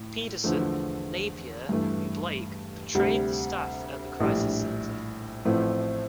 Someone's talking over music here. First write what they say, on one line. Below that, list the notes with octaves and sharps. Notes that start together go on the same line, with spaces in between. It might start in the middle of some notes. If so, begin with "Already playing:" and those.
Pedersen, Napier and Blake portrayed the staff at the crisis centre.
Already playing: A2
E2 D3 F3 A3
G2 E3 A3
D2 C3 G3
A#1 A2 G3 D4
A1 A2 F3 A3 C4